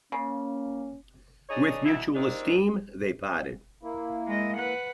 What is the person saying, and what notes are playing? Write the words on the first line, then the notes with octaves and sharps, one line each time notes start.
With mutual esteem they parted.
C#3 A#3 C#4
D4 D#4 G#4 C#5 D#5
D2 D#4 E4
A#3 C4 D4 D#4 F4
A#3 E4
G#3 D#5
B4 F#5